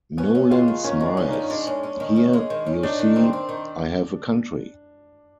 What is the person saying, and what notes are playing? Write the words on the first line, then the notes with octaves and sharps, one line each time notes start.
Nolan smiles, Here, you see, I have a country!
B3 C#4
C#4
G#3 F4
D#3
D#3 C#4
G#3
D4
C#4
D#3 D#4
G#3 D4
C#4
C#4
D#3
C#4
G#3
D#3
C#4
D4 D#4
D#3
C4
C4
D#3